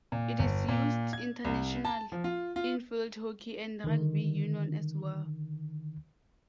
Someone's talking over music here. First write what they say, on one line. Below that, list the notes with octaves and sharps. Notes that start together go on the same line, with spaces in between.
It is used international in field hockey and rugby union as well.
A#2
G1
A#2
G#6
C2
A5
F3
F4
F4
D3 D#3